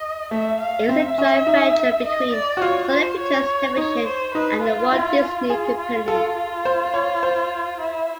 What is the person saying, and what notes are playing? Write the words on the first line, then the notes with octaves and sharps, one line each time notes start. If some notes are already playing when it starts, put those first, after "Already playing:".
It is a joint venture between Sony Pictures Television and The Walt Disney Company.
Already playing: D#5
A3 E5
F5
C4 E5
C#4
D#4
D#5
D5
F#4
F4 C#5
C5
C#5
D#4 C#5
C5
D#4 B4
F4
E4
F4 G#4
F4
F4 A4
F4
C5
C#5
C5
E4